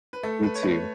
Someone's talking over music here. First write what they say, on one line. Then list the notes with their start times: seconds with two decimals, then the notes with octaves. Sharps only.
You, too.
0.13 B4
0.23 A3 A4
0.43 B4
0.55 C#5
0.63 A3 B4